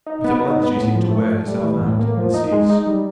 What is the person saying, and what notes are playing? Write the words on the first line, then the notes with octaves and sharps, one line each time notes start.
But at length she seemed to wear herself out and cease.
D#4
B3
D#4
B3
A2
F3
A3
A3
G3
E3
A2
A#3
F3
D#4
G#3
D#4
G3